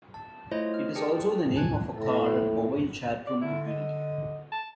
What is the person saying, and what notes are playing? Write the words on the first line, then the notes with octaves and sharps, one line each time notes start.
It is also the name of a car and mobile chatroom community.
A5
A3 E4 F4 C5 C#5 D#5
F6
G4 G#4 A#4 D5 G5 A5
G#5 A5 F#6 G#6
A2
D5
D3 E4
D#5
A5